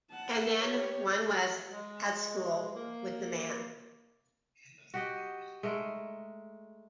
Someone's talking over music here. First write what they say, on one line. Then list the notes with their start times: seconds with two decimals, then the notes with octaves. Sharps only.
And then one was at school with the man.
0.12 F#5 A5
0.59 G4 C#5
1.71 G#3
2.76 A#3
4.94 F#4 G4 D#5
5.63 G#3 A3 A#4